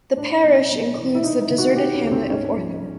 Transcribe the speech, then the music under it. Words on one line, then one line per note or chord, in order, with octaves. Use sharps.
This parish includes the deserted hamlet of Orthorpe.
A2 D4
B1
B1
E3
E4
C3 D#4
E4
D#3
F#4
C3 G4
C#4
D2
C4
G#2 C#4
F3
F3